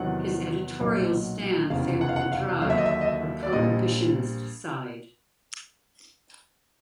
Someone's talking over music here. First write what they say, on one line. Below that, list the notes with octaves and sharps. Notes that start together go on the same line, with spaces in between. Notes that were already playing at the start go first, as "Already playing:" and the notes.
His editorial stand favored the "dry," or prohibitionist side.
Already playing: E2 C3 D#3 F#3 F#5
B1 A#2 F#3
F1 E2 C#3 F5
F#5
F5
F#5
F5
D#2 D3 F#3 F5
E5
D#5
E5
D#5
E5
D5
A#1 A#2 G3 D#5